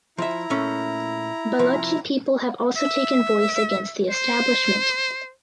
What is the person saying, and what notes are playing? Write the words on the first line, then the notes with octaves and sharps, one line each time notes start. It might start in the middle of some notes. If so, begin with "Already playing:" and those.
Balochi people have also taken voice against the Establishment.
F3 E4 E5 A#5
A#2 A3 C#4
C2 F3
E5
C5